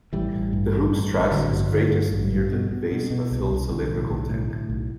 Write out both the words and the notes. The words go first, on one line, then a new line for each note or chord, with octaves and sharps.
The hoop stress is greatest near the base of a filled cylindrical tank.
A1 E3 G3
A1
G2
A1
A1
A1
A1 D3 F#3
G2
D3
G2
A1
G2
B2
B2
B2
B2
C2
C2
B1 D3
A2
B1
A2
A2
B1